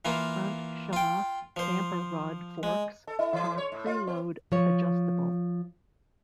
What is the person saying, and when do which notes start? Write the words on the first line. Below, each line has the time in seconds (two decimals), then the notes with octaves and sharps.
Front Showa damper-rod forks are preload adjustable.
0.05 E3 A#3 F4
0.93 F4 G5
1.56 F3 C5
2.63 G#3
3.07 A4
3.19 E4
3.33 E3
3.58 C#5
3.72 A2
3.87 F4
4.07 C4
4.52 F3 C#5